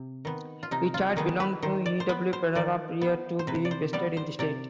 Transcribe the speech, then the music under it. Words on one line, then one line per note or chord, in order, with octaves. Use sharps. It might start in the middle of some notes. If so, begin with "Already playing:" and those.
It had belonged to E. W. Perera prior to being vested in the state.
Already playing: C3
D#3 B3
F4
C3 D#4
F4
D#3 B3 G#4
B4
D#3 C5
D5
C5
B3 B4
C5
D#3 D5
B3
C5
C3 B4
D5
C5
G3 B3 D5
C5
C3 D5